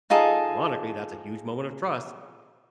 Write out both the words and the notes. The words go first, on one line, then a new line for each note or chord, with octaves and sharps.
ironically, that's a huge moment of trust.
D#4 F4 G#4 A4